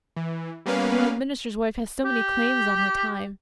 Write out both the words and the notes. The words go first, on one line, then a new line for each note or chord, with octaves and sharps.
When a minister's wife has so many claims on her time!
E3
G3 A#3 B3 C#4 B4 F5
G4